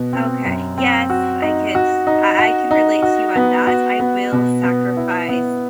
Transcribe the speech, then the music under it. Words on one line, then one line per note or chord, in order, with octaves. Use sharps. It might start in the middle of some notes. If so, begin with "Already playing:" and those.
Okay, yes, I could I I could relate to you on that. I will sacrifice,
Already playing: B2 B3
C4
F#2
C4
F#4
D#4
F#4
D#4
F#4
D#4
F#4
B3
F#4
B3
B2
B3
E4
B3